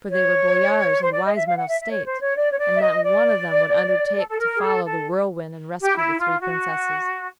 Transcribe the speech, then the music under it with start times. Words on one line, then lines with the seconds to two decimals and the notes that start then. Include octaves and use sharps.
For they were boyars and wise men of state, and not one of them would undertake to follow the whirlwind and rescue the three princesses.
0.10 C#5
1.00 C5
1.11 D5
1.24 D#5
1.35 E5
1.46 F5
1.56 F#5
1.69 E5
1.80 E5
1.91 C#5
2.05 C5
2.21 C#5
2.36 D5
2.51 C#5
2.58 D5
2.76 E5
2.80 D#5
3.03 D5
4.16 A4
4.29 A4
4.39 A#4
4.55 G#4
4.62 A4
4.84 A4
5.82 G4
5.97 E4
6.19 F4
6.41 F#4